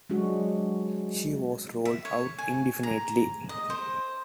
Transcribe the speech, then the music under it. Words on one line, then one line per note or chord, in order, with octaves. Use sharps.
She was ruled out indefinitely.
F#3 G#3 D4 F#4
E5
C#5
G#5
A#5
D#5
C5